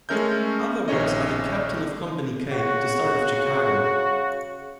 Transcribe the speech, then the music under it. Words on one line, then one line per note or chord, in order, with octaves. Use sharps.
Other works are "The Captain of Company K" and "The Story of Chicago".
G#3 A3 C#4 A#4 E5 G6
A#1 D#3 C#4 C#5 D#5
C#3 F#4